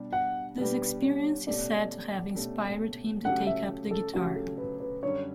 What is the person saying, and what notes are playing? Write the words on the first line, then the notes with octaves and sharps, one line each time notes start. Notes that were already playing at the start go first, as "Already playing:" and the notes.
This experience is said to have inspired him to take up the guitar.
Already playing: B2 G3 D4 G4
F#5
B2 G3 D4 G4 B4
C#5
B2 A3 C#4 G4 D5
B2 A3 C#4 G4
C#3 F#3 A3 C#4 G4 F#5
E5
A4
C#3 F#3 A3 C#4 F#4 G4
A4
B4
B4
F#2 D3 G3 C#4 C#5